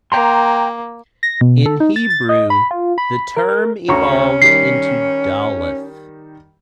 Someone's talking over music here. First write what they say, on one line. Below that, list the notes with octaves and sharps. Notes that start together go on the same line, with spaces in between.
In Hebrew the term evolved into "daleth".
A#3 G5 A#5 C6
A#6
B2
A4
D#4
A6
A6
D#5
B5
F4
B5
A#4
D2 C#4 A#5 C#6
D#3 G3 B6 C7